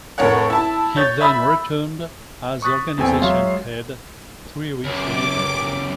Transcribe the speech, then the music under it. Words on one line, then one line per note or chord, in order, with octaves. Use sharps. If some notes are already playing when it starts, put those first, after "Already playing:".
He then returned as organization head three weeks later.
F1 A2 A#4 C#5 F#5
E4 A5
C#5 G6 A6
E5 B5 E6
C#6 D#6 F#6 A6 B6
E2 A3 C4 G5 G#5
F#3 G#3 C#5 E5 F5 C6
C#2 F#2 D6